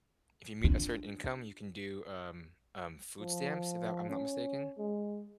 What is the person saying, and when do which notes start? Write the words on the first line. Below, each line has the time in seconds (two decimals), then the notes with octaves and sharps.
if you meet a certain income, you can do, um, um, food stamps, if that I'm not mistaken.
0.64 D4 F4
3.20 F3
4.10 C#4
4.78 G#3